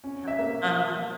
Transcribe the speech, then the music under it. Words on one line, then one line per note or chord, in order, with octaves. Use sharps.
Uh uh-huh.
C#4
E5
A#3